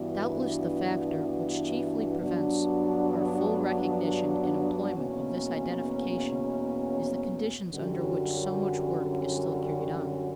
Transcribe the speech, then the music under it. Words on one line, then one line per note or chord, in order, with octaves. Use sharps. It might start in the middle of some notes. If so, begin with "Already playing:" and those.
Doubtless the factor which chiefly prevents our full recognition and employment of this identification is the conditions under which so much work is still carried on.
Already playing: G2 E3 B3 D4 F#4
G2 F#3 B3 D4
E2 B2 A#3 C#4
F#2 D3 G3 C#4 F#4